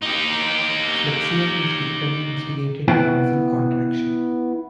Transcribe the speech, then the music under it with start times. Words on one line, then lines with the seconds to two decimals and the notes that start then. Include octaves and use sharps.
Flexion is typically instigated by muscle contraction.
0.02 D#4 G4
2.88 B3 E4 G5